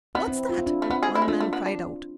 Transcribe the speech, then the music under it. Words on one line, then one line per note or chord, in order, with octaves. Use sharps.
"What's that?" one man cried out.
B3 C4 E4
C4 E4
F4
E4
D4 F4
A3
B3 C4 E4
G#4
E4
G#3
A3 D4 F4
A3
B3
D4